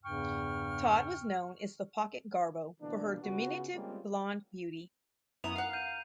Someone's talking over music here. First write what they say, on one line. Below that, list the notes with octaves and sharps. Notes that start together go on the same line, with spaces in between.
Todd was known as the "pocket Garbo" for her diminutive, blonde beauty.
E2 G2 C#3 G5 C#6 F6
B2 D3 E3 A#3 D4
C#3 B3 F4 F#4
G3 G#3 A#3 C4 C#4 F4
F#2 B3 E4 A#5 D#6 F7
D#3 F5 F#5
G6 D#7